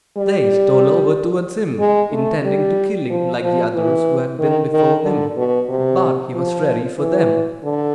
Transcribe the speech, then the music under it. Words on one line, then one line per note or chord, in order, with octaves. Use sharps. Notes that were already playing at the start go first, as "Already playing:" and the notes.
They stole over towards him, intending to kill him, like the others who had been before him: but he was ready for them.
G3
G#3
A3
G3
F3
F3
E3
D#3
D#3
D3
B2
C3
F3
E3
D3